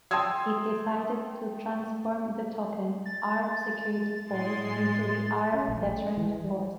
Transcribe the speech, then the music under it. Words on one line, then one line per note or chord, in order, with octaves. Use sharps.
It decided to transform the 'token' Arab Security Force into the Arab Deterrent Force.
G5 A5 C6 D#6 E6 G#6
A6
A2 G#3 C6
C#4
A#1
A3
E3
G3